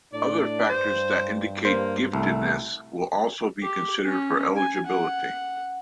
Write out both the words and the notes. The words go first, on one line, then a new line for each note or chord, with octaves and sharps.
Other factors that indicate giftedness will also be considered for eligibility.
A2 D4 D5
G2 C5
A#3 C5
C2 A3
G4
C#4
G#5
F#5